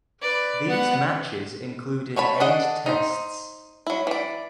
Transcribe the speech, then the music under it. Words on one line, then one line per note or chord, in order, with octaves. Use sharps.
These matches included eight Tests.
B4 D5
B3 F#5
A3 C#5 A5 B5
D4 G#4 A4 D#5 F#5
D#4 C5
F#3 E4
E3 D5